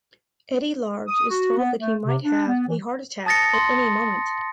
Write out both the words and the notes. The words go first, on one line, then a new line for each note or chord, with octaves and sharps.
Eddie Large was told that he might have a heart attack at any moment.
D#6
F#4
B3
A3
C3
D4
B3
E3
A5 D#6 A6 A#6 C#7
C6